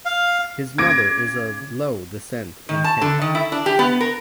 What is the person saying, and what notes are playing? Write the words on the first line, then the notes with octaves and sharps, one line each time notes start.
His mother is of Luo descent in Kenya.
F5
C#3 D6 G#6 A#6 D7
D#3
A5
D3
D#3
E4
D4
G4
B3
A#4